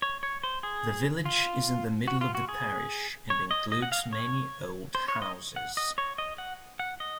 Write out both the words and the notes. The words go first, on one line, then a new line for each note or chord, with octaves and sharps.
The village is in the middle of the parish, and includes many old houses.
C#5
C#5
C5
G#4
F4
F#4
F4
F#4
G#4
C#5
D#5
D#5
F#5
F5
C#5
C5
C#5
D#5
F#5
D#5
C#5
D#5
F#5
F#5
D#5